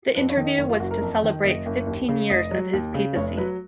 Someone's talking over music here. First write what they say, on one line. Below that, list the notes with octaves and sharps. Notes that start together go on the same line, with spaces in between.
The interview was to celebrate fifteen years of his papacy.
F2 B4
C#5
D#3
D#5
F#1 C#5
F4
F#1 F#4
A#4
F2
D#3
F#1 D#5
F#1
D#2
C#3
F1 D#5
F#3
D#2
C#3
F1 C#5
F#3 B4